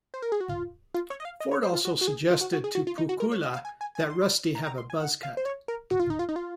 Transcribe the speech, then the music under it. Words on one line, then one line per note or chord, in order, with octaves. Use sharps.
Ford also suggested to Pakula that Rusty have a buzz cut.
C5
A#4
G#4
F#4
F4
F4
C#5
D#5
F5
D#5
C#5
C5
F4
F#4
F#4
G#4
F4
F#4
F#4
G#4
F#4
F4
D#4
F#4
A#4
C#5
D#5
F5
G#5
G#5
G#5
C6
A#5
A#5
C6
G#5
F#5
F5
C5
C#5
A#4
F#4
F4
D#4
F4
D#4
F4